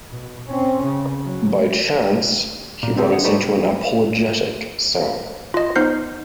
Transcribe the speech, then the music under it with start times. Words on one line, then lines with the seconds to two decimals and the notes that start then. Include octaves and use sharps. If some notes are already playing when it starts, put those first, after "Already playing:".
By chance, he runs into an apologetic Sam.
0.10 B2
0.48 C4 C#4
0.83 C#3
1.24 F#3
2.83 A#2
2.97 D3 G3 G#3 B3 C4
3.13 G#4 F#5
3.24 D#4 G4 A4 B4 C#5 D5
3.41 G3
5.54 F4 D#5
5.76 B3 D#4 C5 F6 G6 C7